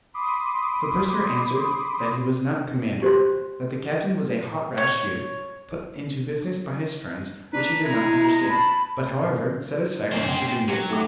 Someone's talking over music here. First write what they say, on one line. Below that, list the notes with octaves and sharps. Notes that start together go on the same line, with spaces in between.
The purser answered, that he was not commander; that the captain was a hot rash youth, put into business by his friends, which he did not understand; but however, satisfaction should be made.
B5 C6 D6 D#6
G4 C5 C6
C#5
D4 B4 A#5
G#3 E4
A5 B5
B1 F#2 G#4 C5 C#5
G5
F#3 G4
A2 A3 D6